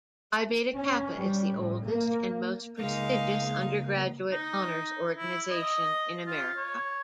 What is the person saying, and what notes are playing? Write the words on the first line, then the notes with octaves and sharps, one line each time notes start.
Phi Beta Kappa is the oldest and most prestigious undergraduate honors organization in America.
C#4
G3
A2
A#3
C#2 G#3 A#3 D#4 F5
D#4
E4
D#5
F4
C#5